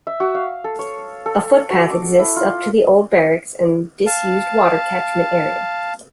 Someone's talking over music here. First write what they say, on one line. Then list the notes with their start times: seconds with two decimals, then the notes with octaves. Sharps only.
A footpath exists up to the old barracks and disused water catchment area.
0.07 E5
0.20 F#4
0.35 F5
0.64 A4
0.79 C#5
1.26 A4
1.70 F#4
1.91 D6
2.19 E4
2.36 F4
4.06 F5 A5